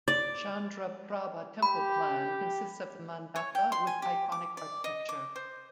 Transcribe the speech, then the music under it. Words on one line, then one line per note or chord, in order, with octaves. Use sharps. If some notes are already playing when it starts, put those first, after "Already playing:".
Chandraprabha temple plan consists of the mandapa with iconic architecture.
D5
G4 B5
C#5
G5
C6
G#5
G4
D6
D5
D#5
D6
C5